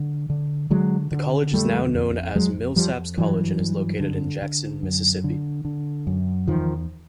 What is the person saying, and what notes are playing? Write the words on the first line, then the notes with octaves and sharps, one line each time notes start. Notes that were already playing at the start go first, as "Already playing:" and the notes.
The college is now known as Millsaps College and is located in Jackson, Mississippi.
Already playing: D3
D3
D3 F#3 G#3
D3
F2 G3 A3
F2
F2 F#3 G#3
F2 F3 G3
G2 E3 F#3
G2
D3
D3
F#2
D3
D3
F#2
E2 D#3 F3